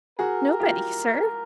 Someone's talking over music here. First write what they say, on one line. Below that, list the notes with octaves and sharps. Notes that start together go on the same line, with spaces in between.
"Nobody, sir."
F#4 G#4 A#4
F4 G4